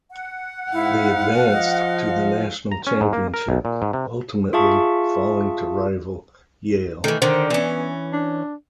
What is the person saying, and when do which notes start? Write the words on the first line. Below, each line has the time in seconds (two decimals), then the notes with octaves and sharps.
They advanced to the national championship, ultimately falling to rival Yale.
0.11 F#5
0.73 G#2 E4 F5
1.52 F3 D#5
2.72 A#5
2.87 C#4
3.01 G#2
3.13 A#3
3.34 A#4
3.49 B1
3.65 A#2
3.82 G#2
3.93 C3
4.53 F4 G#4 E5 F5 A5 C#6
7.04 D#3 E3 A3
7.22 D3 D#3 C5
7.50 E3 B3 C#4
8.13 D4